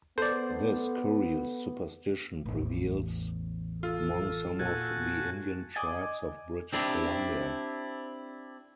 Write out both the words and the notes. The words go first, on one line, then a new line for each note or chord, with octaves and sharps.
This curious superstition prevails among some of the Indian tribes of British Columbia.
B3 A4 C5 D5
A1 E2
F4 A4
A#2 F#4 G#5 A5
D5 D#5 G#5
C4 D4 E4 G4